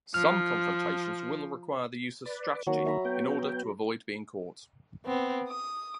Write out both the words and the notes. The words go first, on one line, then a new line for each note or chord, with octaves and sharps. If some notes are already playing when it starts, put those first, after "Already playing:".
Some confrontations will require the use of strategy in order to avoid being caught.
F3 F6
B4 D5
D#3 F#3 A#3
E5 A#5 B5
B3 G5
B3 C4
D#6